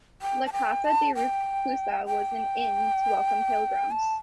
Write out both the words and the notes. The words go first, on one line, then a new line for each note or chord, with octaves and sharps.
La Casa de Reclusa was an inn to welcome pilgrims.
G5
A5
G5
A5
G5
G5
A5